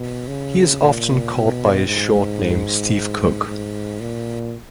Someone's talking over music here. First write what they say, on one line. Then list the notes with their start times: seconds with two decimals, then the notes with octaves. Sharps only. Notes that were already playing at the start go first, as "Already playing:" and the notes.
He is often called by his short name Steve Cook.
Already playing: B2
0.28 C#3
0.81 A#2
1.34 B2
1.87 G#2
3.47 G#2
4.00 A#2